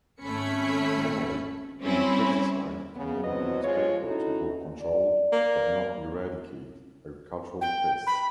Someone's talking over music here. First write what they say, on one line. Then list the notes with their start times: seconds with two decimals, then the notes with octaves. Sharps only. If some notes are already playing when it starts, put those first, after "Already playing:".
Normally, any pesticide can only be expected to control, but not eradicate, agricultural pests.
0.23 G#1 A3 C#4 B5 C#7
1.80 G3 C4 C#4 E4
2.95 C#3 B3
3.24 E2 B2 F#3 B3 C4 D#5
3.63 F3 G#3 F4 C#5
4.02 C#4 D#4 E4 F#4 A4
4.81 D5
5.32 A#3
7.61 G5
8.06 B5